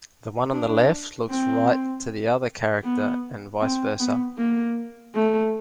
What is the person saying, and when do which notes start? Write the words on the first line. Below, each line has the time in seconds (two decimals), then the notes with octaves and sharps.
The one on the left looks right to the other character and vice versa.
0.52 D4
1.31 C4
2.84 B3
3.61 C4
4.00 B3
4.38 A#3
5.15 A3